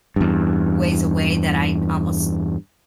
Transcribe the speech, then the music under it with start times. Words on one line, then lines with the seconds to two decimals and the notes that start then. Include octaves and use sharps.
ways away that I almost
0.16 E2 G2